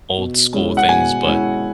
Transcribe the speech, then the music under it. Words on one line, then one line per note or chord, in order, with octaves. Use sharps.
old school things, but,
B2
G#3 C#4 E4
F#5
B2 G#5
G#3 C#4 E4